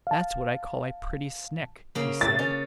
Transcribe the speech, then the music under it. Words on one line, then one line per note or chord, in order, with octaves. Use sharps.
"That's what I call a pretty snick," he said.
F5 A5
C#3 A#3
A6
C#4